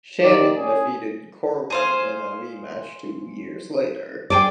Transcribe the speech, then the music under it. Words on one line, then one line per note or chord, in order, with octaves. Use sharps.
Shannon defeated Corwin in a rematch two years later.
D#3 G4 D5
C#4 G#4
G#4 C5 F5
G#4 D5 G5 G#5 D6